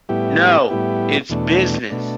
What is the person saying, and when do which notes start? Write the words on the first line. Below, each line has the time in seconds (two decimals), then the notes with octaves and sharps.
No, it's business.
0.09 A2 G3 B3 E4 G4
0.69 A2 G3 B3 E4 G4
1.29 E2 B2 A3 D4
1.90 B2 A3 D4